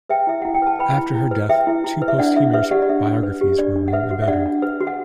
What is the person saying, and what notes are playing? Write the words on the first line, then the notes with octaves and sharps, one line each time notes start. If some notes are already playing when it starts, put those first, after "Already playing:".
After her death, two posthumous biographies were written about her.
B4 E5 G5
E4 E5
E4 F#5
G5
B4 A5
B4 G5 B5
E4
E4
B4
B4 E5 G5
E4
E4
B4
E5
D4 D5 F#5
D4 E5
B4 E5
G4 D5 F#5
D5
D4 E5
D4
B4
G4
D4 D5
D4
F#5
B4 E5
F#4
E5
D4 D5 F#5
D4
B4
F#4
F#5